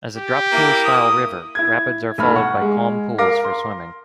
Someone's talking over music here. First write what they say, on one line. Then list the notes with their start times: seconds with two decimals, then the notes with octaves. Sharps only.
As a drop-pool style river, rapids are followed by calm pools for swimming.
0.17 G4
0.52 A#3 E4
0.84 D#6
1.55 E4 G#6
2.18 B1 A3 B5 F6
2.36 F#5 C#6
2.62 G#3
3.18 A#4 F5 D6 A#6
3.44 C6